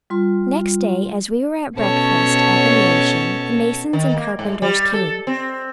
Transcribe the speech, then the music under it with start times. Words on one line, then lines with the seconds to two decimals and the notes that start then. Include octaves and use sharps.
Next day, as we were at breakfast at the Mansion, the masons and carpenters came.
0.10 G3 F4 C6
1.78 B2 C#4 A4 C#5 A5
3.93 D#3
4.16 A#3
4.39 G#2
4.62 G3
4.93 A4
5.27 C4